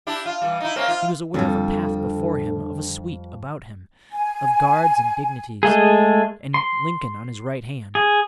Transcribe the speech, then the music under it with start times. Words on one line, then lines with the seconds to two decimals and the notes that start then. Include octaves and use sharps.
He was aware of a path before him, of a suite about him, of guards and dignities, and Lincoln on his right hand.
0.07 D4 E4 G4
0.26 F4
0.42 E3 G3
0.60 D#4 E4
0.76 A#3 C4 C#4
0.88 F4
1.34 F2 D3 G3
4.13 G#5
5.63 G#3 A3 G#4
6.54 C6
7.95 G#4